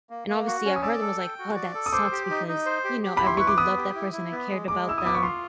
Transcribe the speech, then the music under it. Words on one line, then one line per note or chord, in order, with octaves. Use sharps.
And obviously, I heard them, I was like, "Oh, that sucks," because, you know, I really loved that person, I cared about them,
A#3
A#3
F#4
C#4
D#6
D5 E6
A4
G5
F#4
D5
A4
D#6
C5 D6
G4
D#4
D#4
C5
G4
G4
B5
E4 C6
B4 C#6
D6
B3 D#6
G4
E4
E4
B3
G#3
G#3 D6
E4 E6
D#6
B3 D6
C#6
F4 C6